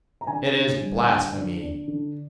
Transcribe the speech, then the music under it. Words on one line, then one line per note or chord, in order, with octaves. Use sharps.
"It is blasphemy!"
A#5
D3 G#5
D4
G3
D3
D4
D4
D3